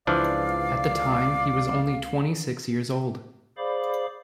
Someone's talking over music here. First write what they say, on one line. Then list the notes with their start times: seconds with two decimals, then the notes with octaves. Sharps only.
At the time he was only twenty-six years old.
0.07 C#2 E3 F3 D4 D5 F5
3.57 G#4 C5 D5 F5 B5 D6